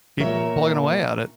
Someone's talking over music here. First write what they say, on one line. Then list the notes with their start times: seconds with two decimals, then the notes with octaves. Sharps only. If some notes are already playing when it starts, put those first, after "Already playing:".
keep plugging away at it.
0.19 A#2 A#4 C#5 E5